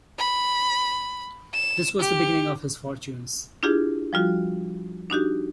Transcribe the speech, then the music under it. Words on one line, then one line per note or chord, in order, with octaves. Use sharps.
This was the beginning of his fortunes.
B5
E7
G4
D4 E4 F4 G4 G#4
F3 G3 F4 F#4
D4 D#4 F#4 G4